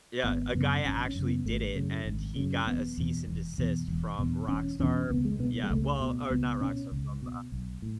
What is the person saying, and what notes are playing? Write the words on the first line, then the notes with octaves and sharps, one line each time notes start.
Yeah, a guy actually did it, and he got a cease and desist from Rockstar Yeah, well, or not Rockstar, from,
G#1 B3
F#2 C#3 B3
G#1 C#4
C#4
F#2 C#3
B3
G#1 A3
F#2 C#3
G#1
F#2 C#3
E1 B3
E2 B2
E1
E2 B2
E1
E2 B2
E1 C#4
E2 B2 C#4
C#2 B3
G#3
B2 B3
B3
G#3
C#2 A3
B2
C#2 B3
B2 C#4
C#2
B2
B1
A2